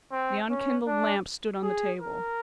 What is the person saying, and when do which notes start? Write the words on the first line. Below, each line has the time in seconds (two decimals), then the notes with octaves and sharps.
The unkindled lamp stood on the table.
0.12 C4
0.50 C#4
0.87 D4
1.63 G#4
2.01 A#4